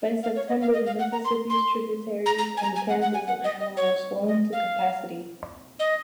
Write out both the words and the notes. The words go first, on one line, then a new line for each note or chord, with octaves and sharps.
By September, the Mississippi's tributaries in Kansas and Iowa were swollen to capacity.
F5
C#5
D#5
F5
D#5
F5
F#5
A#5
C6
C6
A#5
A#5
G#5
A#5
G#5
F#5
F#5
G#5
F#5
D#5
D#5
C#5
D#5
F5
D#5